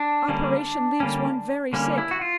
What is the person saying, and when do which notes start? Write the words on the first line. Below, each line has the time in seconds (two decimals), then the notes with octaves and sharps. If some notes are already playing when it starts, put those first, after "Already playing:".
Operation leaves one very sick.
Already playing: D4
0.28 D3 G3 A#3 C#4
1.00 D3 G3 A#3 C#4
1.73 D3 G3 A#3 C#4
1.98 E4
2.11 F#4
2.21 F4